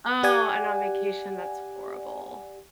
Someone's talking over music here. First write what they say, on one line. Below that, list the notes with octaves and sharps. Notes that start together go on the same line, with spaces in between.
Oh, and on vacation, that's horrible.
G4 D5 F#5 G#5